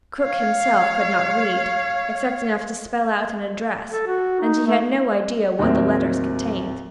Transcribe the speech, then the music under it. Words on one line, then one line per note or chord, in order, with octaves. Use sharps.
Krook himself could not read, except enough to spell out an address, and he had no idea what the letters contained.
C#5 F5
A4
F#4
D#4
A3
D#2 A2 F#3 C4 A#4 E5